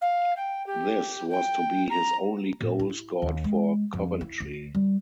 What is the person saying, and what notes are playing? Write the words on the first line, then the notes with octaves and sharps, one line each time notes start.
This was to be his only goal scored for Coventry.
F5
G5
G4
G5
A#5
A#2
E4
D#2
G#3
F2
E4
D2
G3